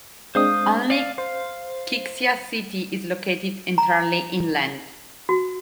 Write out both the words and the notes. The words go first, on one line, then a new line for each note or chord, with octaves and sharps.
Only Qixia City is located entirely inland.
G#3 C4 D4 C5 F5 D#6
D5 F5
C5 F5
A#5
F#4